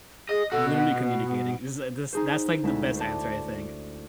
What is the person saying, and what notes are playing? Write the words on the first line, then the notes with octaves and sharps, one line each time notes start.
Literally communicating, this, uh this that's, like, the best answer, I think.
G#4 D#5
B2 F#4 A4
B3
D#4 G#4 C5
D2 G#3 E4 B6
C5 D5 A5